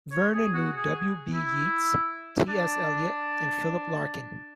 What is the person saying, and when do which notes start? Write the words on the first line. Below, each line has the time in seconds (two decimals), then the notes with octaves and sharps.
Vernon knew W. B. Yeats, T. S. Eliot and Philip Larkin.
0.12 C#5
0.34 G#4
0.54 F#4
0.77 G#4
1.34 E4
2.49 D4